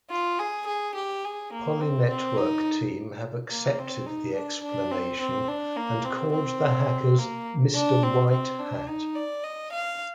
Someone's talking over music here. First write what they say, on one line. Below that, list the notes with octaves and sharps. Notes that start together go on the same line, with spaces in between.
Poly Network team have accepted the explanation and called the hackers "Mr White Hat".
F4
G#4
G#4
G4
G#4
A#3
C4
C4
D#4
A#3
C4
D#4
D4
D4
C4
C4
D4
A#3
C4
C4
A#3
D4
C4
C4
D4
D#4
D5
D#5
F5